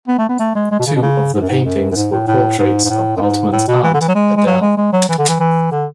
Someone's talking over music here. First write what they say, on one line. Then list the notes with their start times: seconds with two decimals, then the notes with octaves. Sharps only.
Two of the paintings were portraits of Altmann's aunt, Adele.
0.08 B3
0.18 A3
0.29 B3
0.39 A3
0.55 G#3
0.71 G#3
0.79 B2
0.87 C#3
0.95 B2
1.02 C#3
1.34 G#2
1.41 F#2
1.49 G#2
1.65 F#2
1.91 F#2
1.96 G#2
2.12 A2
2.27 A2
2.58 G#2
2.84 G#2
2.89 A2
3.17 F#2
3.21 G#2
3.52 A2
3.68 B2
3.83 E3
3.94 D3
4.01 E3
4.08 F#3
4.15 G#3
4.37 G#3
4.46 F#3
4.62 G#3
4.77 G#3
4.93 F#3
5.09 E3
5.18 D3
5.28 E3
5.40 E3
5.71 D3